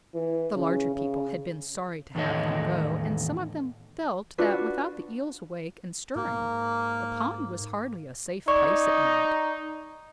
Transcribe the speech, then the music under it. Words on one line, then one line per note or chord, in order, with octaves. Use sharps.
The larger people had been sorry to have them go, and some of them felt that without the Eels awake and stirring, the pond was hardly a safe place at night.
E3
C#3
C#3
E2 A2 D#3 A4 C#5 D#5
D4 F4 F#4 B4
G#2 A#3
D#4 D5 C#6